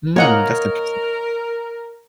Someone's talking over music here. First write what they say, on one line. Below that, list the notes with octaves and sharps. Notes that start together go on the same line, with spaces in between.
Hmm, that's interesting.
A#3 A#4 C#5 D#5 F#5 A#5